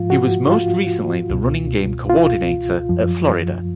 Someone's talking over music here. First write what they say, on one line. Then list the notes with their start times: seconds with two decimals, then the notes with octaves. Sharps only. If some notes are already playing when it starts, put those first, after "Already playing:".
He was most recently the running game coordinator at Florida.
Already playing: G#2 F3 F4
0.10 F#4
0.50 F4
1.30 C#2 B2
2.10 F4
2.89 F#2 F3